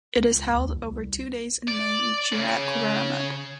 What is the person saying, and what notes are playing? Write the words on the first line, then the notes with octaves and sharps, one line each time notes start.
It is held over two days in May each year at Cowaramup.
C#2
D#2
C2
D5
C#3